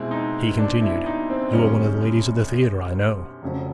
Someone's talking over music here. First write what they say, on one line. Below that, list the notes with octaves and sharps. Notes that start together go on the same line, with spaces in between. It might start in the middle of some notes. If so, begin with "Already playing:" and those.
He continued, 'You are one of the ladies of the theatre, I know.
Already playing: B2 G#3 C4 E4
D#4
D4
E4
D#4
C4
F#2 D3 G3 C4 C#4
F1 F2 C#3 F#3